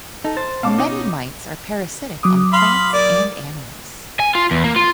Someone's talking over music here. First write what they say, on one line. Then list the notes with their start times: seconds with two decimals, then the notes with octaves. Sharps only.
Many mites are parasitic on plants and animals.
0.24 D#4 A4
0.37 C5 A6
0.63 B2 C#4 F5 A5 D6
0.78 D#4
2.23 F#3 D6 D#6
2.53 F5 B5 C6
2.93 A#3 D5
4.20 G#5
4.35 F4
4.51 E2
4.64 A#3
4.76 F4